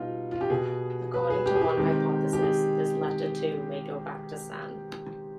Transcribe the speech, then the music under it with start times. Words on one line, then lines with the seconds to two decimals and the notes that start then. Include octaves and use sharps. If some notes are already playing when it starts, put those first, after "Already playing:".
According to one hypothesis, this letter too may go back to San.
Already playing: B2 G3 B3 D#4 F4
0.32 F4
0.41 G4
0.50 B2 B3 G#4
1.14 B4
1.30 G#4
1.46 G4
1.55 G#4
1.61 G4
1.77 D#3 G#3 C4
2.33 G4
2.42 G#4